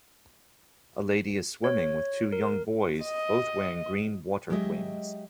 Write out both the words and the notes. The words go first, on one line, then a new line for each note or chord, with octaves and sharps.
A lady is swimming with two young boys both wearing green water wings.
C#5
A#4
D#5
F#3 G#3 G4 D#5 E5